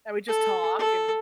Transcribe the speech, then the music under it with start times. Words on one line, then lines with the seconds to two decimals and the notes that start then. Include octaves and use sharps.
And we'd just talk and
0.28 A4
0.79 A4